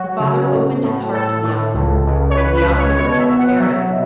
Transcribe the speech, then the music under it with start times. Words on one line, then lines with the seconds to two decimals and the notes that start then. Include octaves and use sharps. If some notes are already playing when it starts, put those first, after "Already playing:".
The father opened his heart to the Onlooker--and the Onlooker had to bear it.
Already playing: F#3 F#4
0.20 C#3
0.52 A2
0.83 A2
1.13 A2 A4
1.44 A2
1.74 C#2
2.06 C#2
2.30 C#5
2.36 C#2 B4
2.57 B4
2.67 C#2
2.78 C#5
2.98 B2 C#5
3.19 E5
3.29 B2
3.39 F#5
3.59 F#3 E5
3.90 B2